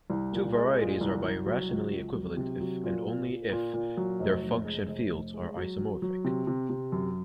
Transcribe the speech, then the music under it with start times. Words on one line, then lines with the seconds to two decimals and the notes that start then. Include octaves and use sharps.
Two varieties are birationally equivalent if and only if their function fields are isomorphic.
0.10 C2
0.33 A#2
0.55 G#3
0.78 A#2
1.01 C2
1.24 C2
1.46 F#3
1.69 C#2
1.92 C#2
2.15 F#3
2.37 C3
2.61 F#3
2.83 A#2
3.06 A#2
3.29 A#2
3.52 A#2
3.73 A#2
3.97 F#3
4.20 F1
4.43 F1
4.65 G#3
4.88 F1
5.10 F1
5.34 G#3
5.57 F#3
5.79 F#3
6.02 F#3
6.25 C3
6.47 C3
6.70 C3
6.92 F#2